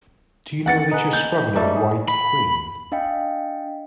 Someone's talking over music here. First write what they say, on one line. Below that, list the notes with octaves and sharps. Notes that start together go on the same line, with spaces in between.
Do you know that you’re scrubbing a White Queen?
F#5 A6 C#7
D#4 G#4 B4
G6
G#2 G3 A3
G#4
B5
D4 D#5 F5 G5